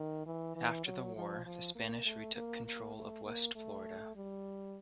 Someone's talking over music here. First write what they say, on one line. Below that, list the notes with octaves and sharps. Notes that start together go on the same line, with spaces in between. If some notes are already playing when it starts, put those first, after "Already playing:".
After the war, the Spanish retook control of West Florida.
Already playing: D#3
E3
E3
F#3
F3
F3
A#3
A3
A#3
A#3
A3
A#3
A3
G3